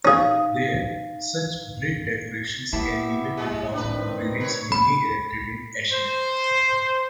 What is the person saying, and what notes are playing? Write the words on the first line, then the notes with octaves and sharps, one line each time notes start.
There, such brick decorations can even be found on buildings mainly erected in ashlar.
C#4 D#4 G#4 F5
A#3 B3 E4 G4 A5
G3 G#3
C#3 D4 B4
A2 D#3 C4 D#4
A#4 B4 C#5
B5
C5